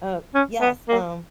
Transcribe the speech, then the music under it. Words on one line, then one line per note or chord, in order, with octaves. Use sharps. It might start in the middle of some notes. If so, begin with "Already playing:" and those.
Oh, yes, um
C#4
B3
A#3